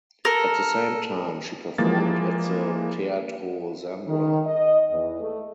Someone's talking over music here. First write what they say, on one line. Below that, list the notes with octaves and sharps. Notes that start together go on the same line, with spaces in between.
At the same time she performed at the Teatro Zambra.
A4 A#4
E3 F3 G#3 A#3 A6
D#3
D#5
E2
A3